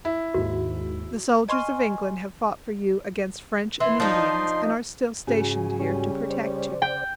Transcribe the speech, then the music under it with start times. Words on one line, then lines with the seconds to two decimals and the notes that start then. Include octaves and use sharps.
The soldiers of England have fought for you against French and Indians and are still stationed here to protect you.
0.05 E4
0.34 D#2 G#2 F#4
1.48 D#5 G#5 C6 C#6 F6
3.80 E3 C6
4.00 F3 D4 D#4
5.27 G#2 C#3 F#4 G#5
5.79 G3 C#4
6.30 C5 D5
6.82 G5